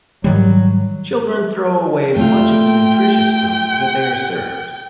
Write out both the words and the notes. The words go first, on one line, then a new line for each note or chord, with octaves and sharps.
Children throw away much of the nutritious food that they are served.
G#2 D#3 F#3 G3
A3 F4 G5